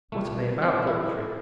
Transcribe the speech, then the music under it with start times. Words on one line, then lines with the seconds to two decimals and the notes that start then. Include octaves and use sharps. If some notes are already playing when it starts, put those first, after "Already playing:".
"What are they about?" thought the Tree.
0.12 C2 A#2 G3 A3
0.62 C4
0.87 E4